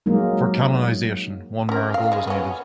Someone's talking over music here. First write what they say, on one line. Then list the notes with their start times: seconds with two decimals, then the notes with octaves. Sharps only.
For canonization one miracle was needed.
0.06 F#3 G#3 A#3 D#4
1.69 C#4 A#4
1.94 F5
2.12 C#3 G#3
2.27 B3 C#4